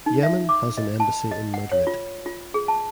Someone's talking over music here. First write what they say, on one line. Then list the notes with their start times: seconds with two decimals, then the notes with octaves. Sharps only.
Yemen has an embassy in Madrid.
0.06 D#4
0.23 E5
0.49 D6
0.77 D#5
1.00 A5
1.31 D#5
1.54 F#5
1.72 C#5
1.87 F4
2.26 F4
2.54 G#4
2.68 A5